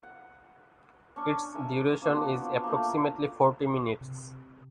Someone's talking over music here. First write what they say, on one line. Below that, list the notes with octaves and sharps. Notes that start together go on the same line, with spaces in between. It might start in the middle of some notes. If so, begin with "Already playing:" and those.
Its duration is approximately forty minutes.
F#5
C#4 D4 C#6
A#4 E5 G#5
A#3 C4 D4 F#4
B3 F4
A3 A#3
C3